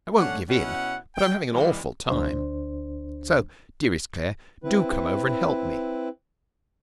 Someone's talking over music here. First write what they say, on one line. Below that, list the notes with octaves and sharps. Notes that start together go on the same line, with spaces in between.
I won't give in, but I am having an awful time. So, dearest Claire, do come over and help me.
A3 C#4 D4 C#5 F#5
B2 C#4 E4 F#5
G5
E3 G3 G#3
D2 D4 C5
C4 E4 B4